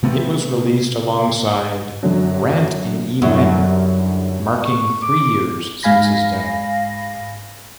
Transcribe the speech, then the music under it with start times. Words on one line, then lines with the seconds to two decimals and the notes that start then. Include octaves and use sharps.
It was released alongside "Rant in E-Minor", marking three years since his death.
0.03 C3 A3 B3 C4
2.03 F#2 D3 F#3
3.22 F#2 D3 G3 E4
4.65 C#6
5.02 D6
5.83 G#2 G#3 F5 G#5 B5 A#6